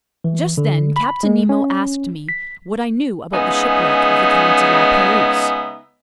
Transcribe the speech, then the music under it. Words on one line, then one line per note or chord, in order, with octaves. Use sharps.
Just then Captain Nemo asked me what I knew about the shipwreck of the Count de La Pérouse.
E3
D3
B5
G#3
C#4
B6
C#3 G#3 B3 D#4 E5 G#5